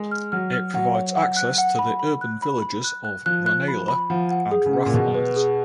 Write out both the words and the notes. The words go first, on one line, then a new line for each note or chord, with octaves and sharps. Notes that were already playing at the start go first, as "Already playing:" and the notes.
It provides access to the urban villages of Ranelagh and Rathmines.
Already playing: G#3
F6
F#3 F6
F6
F#3 F#5
C#5
F#5
F#6
F#5
B5
B5
F#6
B5
B5
F#6
F#6
F3 F#6
F#6
B5
B5
F3 F#5
F#5
G#4
C#3
F#5
A#2
B2 G#4
B4
G#4